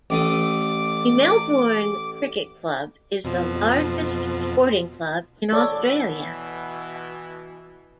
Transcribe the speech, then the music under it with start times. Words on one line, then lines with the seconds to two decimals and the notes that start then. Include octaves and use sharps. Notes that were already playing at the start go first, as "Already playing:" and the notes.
The Melbourne Cricket Club is the largest sporting club in Australia.
0.10 A1 A3 D6 D#6
3.24 F2 B2 F3
5.53 B2 E3 A4 C#5 D5